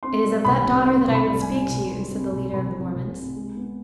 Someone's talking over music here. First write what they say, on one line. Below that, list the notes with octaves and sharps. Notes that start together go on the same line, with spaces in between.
"It is of that daughter that I would speak to you," said the leader of the Mormons.
C4 C6
G3
C2 B5
C4
C4 C6
C2
B5
G3
G#5
G3
C2
G3
C4
C2
C2 B5
C4
C2
C3
G#3
B3